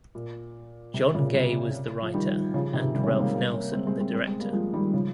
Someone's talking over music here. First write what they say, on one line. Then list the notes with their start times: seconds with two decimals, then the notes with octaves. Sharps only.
John Gay was the writer and Ralph Nelson the director.
0.15 A#2
0.94 C3
1.14 A#2 C#3
1.34 C3
2.02 F3
2.14 D#3 G3
2.54 C#3 F3
2.73 C3 D#3
2.94 D#3 G3
3.03 C#4
3.07 G#3 C4
3.20 G3 A#3
3.34 G3 A#3
3.53 A#3 C#4
3.73 G#3 C4
3.87 G#3 C4
4.00 G#3 C4
4.13 G#3 C4
4.27 G#3 C4
4.39 G3 A#3
4.53 F3 G#3
4.73 D#3 G3
4.93 C#3 F3